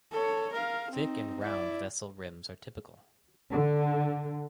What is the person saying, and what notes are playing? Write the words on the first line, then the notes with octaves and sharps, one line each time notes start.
Thick and round vessel rims are typical.
A4 C#5
A#4 F5
C4 D#4
E4 D5
D3